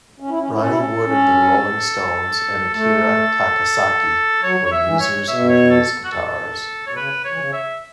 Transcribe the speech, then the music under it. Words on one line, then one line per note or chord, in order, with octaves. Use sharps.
Ronnie Wood of The Rolling Stones and Akira Takasaki were users of these guitars.
C#4
E4
C#4
E4
C#4 A4
E4
C#4
C#4
A3 A4
F#3 C#5
C#5
E5
E3
C#5
B2 E5
C#5
A4
F#4
A4
B2 C#5
C#3 B4
C#5
E3
C#3
E5